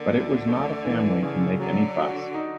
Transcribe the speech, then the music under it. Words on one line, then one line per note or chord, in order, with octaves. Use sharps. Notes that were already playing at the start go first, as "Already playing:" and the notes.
But it was not a family to make any fuss.
Already playing: D3 A#3
D2
A3
E3
C#3
D3 F#3
F#4
D#4